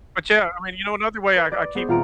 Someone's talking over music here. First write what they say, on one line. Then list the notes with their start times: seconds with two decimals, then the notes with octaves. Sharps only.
But, yeah, I mean, you know, another way I I keep
1.34 B4 B5
1.52 D5
1.75 B3 G#4 C5
1.88 D#1 C4 F4 F#5 A#5 D7